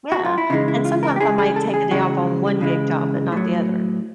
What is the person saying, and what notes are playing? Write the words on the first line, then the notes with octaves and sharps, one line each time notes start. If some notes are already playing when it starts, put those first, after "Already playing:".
Yeah, and sometimes I might take a day off on one gig job, but not the other,
F#4
F4
E4
C#3 E3 G#3 D#4
E4
F4
A#4
G4
C#3 E3 G#3 G#4
G#4
A4
G#4
C#3 E3 G#3 F#4
C#3 E3 G#3
A2 F#3